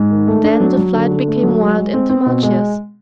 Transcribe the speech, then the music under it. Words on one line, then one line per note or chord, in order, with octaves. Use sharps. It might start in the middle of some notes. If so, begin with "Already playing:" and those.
Then the flight became wild and tumultuous.
Already playing: G#2
D#3
A3
D4
F#3
F#3
D3
D3
A3
F#3
G#3
G#3
C4
C4
B2
G#3